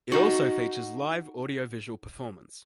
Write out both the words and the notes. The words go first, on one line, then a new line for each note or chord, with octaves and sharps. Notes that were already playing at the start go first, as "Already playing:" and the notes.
It also features live audiovisual performance.
D#4 F#4